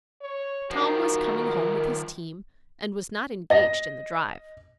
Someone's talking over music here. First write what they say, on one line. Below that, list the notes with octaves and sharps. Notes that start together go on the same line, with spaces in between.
Tom was coming home with his team and was not engaged in the drive.
C#5
D#3 F3 F#4 A#4
D#5 A#6